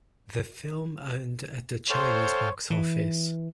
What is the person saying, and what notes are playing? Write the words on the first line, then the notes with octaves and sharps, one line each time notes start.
The film earned at the Chinese box office.
A4 C5 C#5 F5 G5
E3